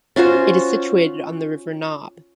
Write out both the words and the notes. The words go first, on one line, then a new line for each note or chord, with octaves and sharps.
It is situated on the river Naab.
C#4 F4 F#4 C5